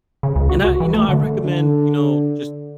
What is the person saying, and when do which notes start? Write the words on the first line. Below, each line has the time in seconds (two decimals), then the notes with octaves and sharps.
And I you know, I recommend, you know, just
0.23 C#3
0.36 C#2
0.49 F#4
0.65 F#4
0.80 E3
0.94 A3
1.09 D3
1.45 D3